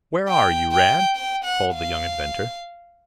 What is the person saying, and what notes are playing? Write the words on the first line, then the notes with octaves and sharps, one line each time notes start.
"Where are you, Rad?" called the young inventor.
G5
G5
G5
F#5
F5